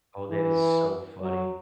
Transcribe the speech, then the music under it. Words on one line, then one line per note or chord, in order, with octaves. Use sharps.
Oh, that is so funny.
E3
F#3